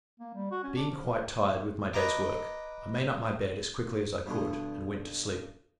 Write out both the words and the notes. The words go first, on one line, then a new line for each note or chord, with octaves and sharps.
Being quite tired with my days work, I made up my bed as quickly as I could, and went to sleep.
A#3
G3
F#4
C#4
D4
F3
A#2
B4 D#5 A#5 D6
G2 B2 D3